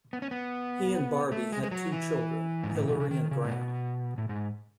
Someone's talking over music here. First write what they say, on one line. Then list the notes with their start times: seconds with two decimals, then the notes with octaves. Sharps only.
He and Barbie had two children; Hilary and Graham.
0.13 B3
0.22 C#4
0.31 B3
1.32 A3
1.52 G#3
1.63 G#3
1.71 F#3
1.92 E3
2.64 G#2
2.75 A2
2.88 B2
2.99 C#3
3.11 D#3
3.31 C#3
3.45 A2
3.50 B2
4.18 A2
4.29 G#2